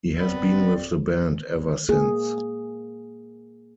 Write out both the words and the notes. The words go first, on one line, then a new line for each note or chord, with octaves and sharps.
He has been with the band ever since.
B3 C4 D5
A#3 G#4